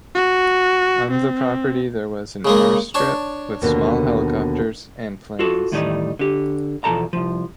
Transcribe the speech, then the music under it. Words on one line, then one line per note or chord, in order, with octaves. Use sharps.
On the property there was an airstrip with small helicopters and planes.
F#4
C4
C#3 G#3 A#3
D4 C#5 A5
D#2 B2 D3
F4 F#4 A4
E2 A2 D#3 G3 A3 D#4
D3 G4
E2 B2 F3 A4 A5 A#5
C2 F3